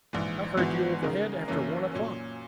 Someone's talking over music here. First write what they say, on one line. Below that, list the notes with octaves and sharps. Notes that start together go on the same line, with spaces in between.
"I heard you overhead after one o'clock."
A#1 G#2 E3
G#1 G#2 E3 B3 F#4
C#3 G#3 D#4 A#4
F#1 F#2 E3 A#3 C#4
A#2 F#3 C#4